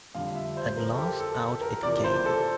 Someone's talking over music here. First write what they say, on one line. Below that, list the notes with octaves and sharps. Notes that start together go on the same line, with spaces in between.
At last out it came.
F2 D3 G3 F5
E5
C5
A#4
A4
G4
A4
A#4
E2 C3 F3 D5
C5
A4